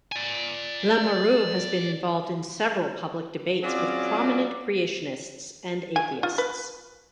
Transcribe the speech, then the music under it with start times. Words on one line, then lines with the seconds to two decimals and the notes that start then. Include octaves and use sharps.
Lamoureux has been involved in several public debates with prominent creationists and atheists.
0.12 D5 G#5
3.63 F#3 C4 C#4 F4 G#4 D5
5.96 G#5
6.23 F4
6.38 B4